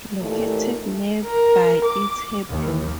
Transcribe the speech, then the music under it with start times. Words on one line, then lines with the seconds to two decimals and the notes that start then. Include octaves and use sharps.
Located nearby is Hebron.
0.22 D#2 A#2 E3 A3
1.25 A#4
1.85 D6
2.50 D#2